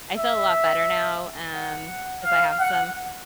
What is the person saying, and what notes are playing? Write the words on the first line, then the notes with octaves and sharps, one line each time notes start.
I feel a lot better now, um, 'cause I have some
E5
F#5
F5
F#5